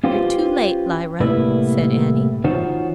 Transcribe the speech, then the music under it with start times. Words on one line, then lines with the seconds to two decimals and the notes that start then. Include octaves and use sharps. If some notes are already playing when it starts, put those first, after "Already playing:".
"You're too late, Lyra," said Annie.
0.04 C#4 F4 G4 B4 C5
1.20 C2 A2 G3 A#3 E4 B4
2.44 E3 D#4 F4 F#4 C5 C#5